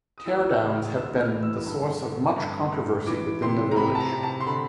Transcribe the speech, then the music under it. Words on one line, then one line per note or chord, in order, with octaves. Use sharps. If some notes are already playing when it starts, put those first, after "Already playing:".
Teardowns have been the source of much controversy within the village.
D#6
E3 E6
E6
C#3
F6
D2 E6
F6
E3
E6
G2
D3
G2
G2
E3 D6
C3 C6
A#5
C3 B5
A5
A#5
C3
A5
C6
D3 B5